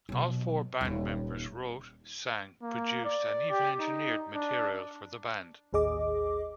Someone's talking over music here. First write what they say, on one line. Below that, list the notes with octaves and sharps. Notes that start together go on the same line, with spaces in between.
All four band members wrote, sang, produced and even engineered material for the band.
B2 F#3
D#1 D#2
A#3
D5
G4
D#4
D4
A1 D#2 G#4 D#5 D6